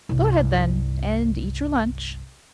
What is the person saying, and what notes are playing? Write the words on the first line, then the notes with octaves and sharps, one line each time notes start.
"Go ahead, then, and eat your lunch."
G1 C2